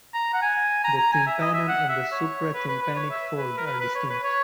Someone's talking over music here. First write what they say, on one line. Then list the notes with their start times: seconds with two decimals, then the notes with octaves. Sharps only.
The tympanum and the supratympanic fold are distinct.
0.14 A#5
0.33 F#5
0.42 G#5
0.84 A#5
0.98 A#5
1.13 G#5
1.27 E5
1.41 D#5
1.54 E5
1.68 F#5
1.89 E5
2.12 C#5
2.54 B4
2.68 B4
2.82 B4
2.96 C#5
3.10 E5
3.38 B4
3.57 A#4
3.66 B4
3.80 B4
3.95 C#5
4.09 B4
4.23 C#5